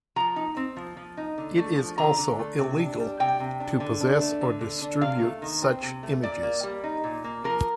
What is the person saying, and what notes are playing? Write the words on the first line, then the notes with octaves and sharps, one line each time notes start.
It is also illegal to possess or distribute such images.
F3 A#5
D#4
C4
F3
F3
D#4
D3
A3
F3
D3 A#5
D3
A3
C3
D4
G3
C3 G5
C3
D4
D3
D4
A3
D3
D3
D4
C3 F5
A3
D#3
C4
C3
A3
A#2 D5
A#3
G3
D#4
A#2
A#3
F3 A#4